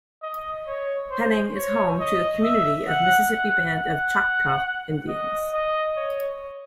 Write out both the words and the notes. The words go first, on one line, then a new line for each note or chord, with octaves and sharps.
Henning is home to a community of Mississippi Band of Choctaw Indians.
D#5
C#5
C5
C#5
D#5
E5
F#5
F#5
F#5
D#5
D#5
C#5